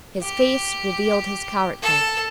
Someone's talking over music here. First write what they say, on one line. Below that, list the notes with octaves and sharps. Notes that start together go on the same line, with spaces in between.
His face revealed his character.
G4
A4